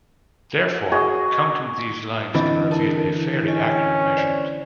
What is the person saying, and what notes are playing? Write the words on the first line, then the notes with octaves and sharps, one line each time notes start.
Therefore, counting these lines can reveal a fairly accurate measurement.
F#4 G#4 D#5
D3 E3 C4 D#5 A6
E4 A#4 A5
C#4 D#5
C5 D5